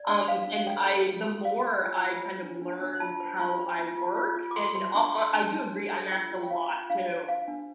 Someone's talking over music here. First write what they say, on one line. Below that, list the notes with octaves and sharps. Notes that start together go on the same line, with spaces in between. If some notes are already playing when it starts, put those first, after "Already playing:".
Um, and I the more I kind of learn how I work and I I I do agree, I mask a lot too.
Already playing: D5
D4
C5 F5
D4
F5
A4 G5
A4
F4
A4
C5 F5
C5
F4
F4
C5
D4
D4
D4
F4 A5
C5
F4
C5
F4
F4
F4
F4
D6
A4 C6
C5 C6
D4 D6
A4 C6
D4 A5
D4
D4
A4
F4 G5
F4
G5
F4 F5
F4
D4 F5
C5
C5 F5
D4